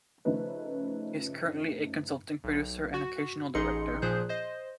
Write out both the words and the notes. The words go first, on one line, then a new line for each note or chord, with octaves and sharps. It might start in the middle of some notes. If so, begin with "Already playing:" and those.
He is currently a consulting producer and occasional director.
C#3 F3 A3 C#4 D#4 B4
B1
F#4
A1 D#4 G#4 D#5 C6 C#7
A#2 F3 G#4 C5 F#6 G6
C5 D#5